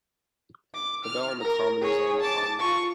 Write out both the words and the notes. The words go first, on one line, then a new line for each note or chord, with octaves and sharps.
The "Bell on the Common" is on the common.
D6
F6
A#4 A#5
G#4 C#5
A5 D6
F4 C#6